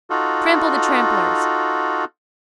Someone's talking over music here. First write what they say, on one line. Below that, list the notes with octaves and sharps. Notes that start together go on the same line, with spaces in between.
Trample the trampellers.
D#4 F4 F#4 A4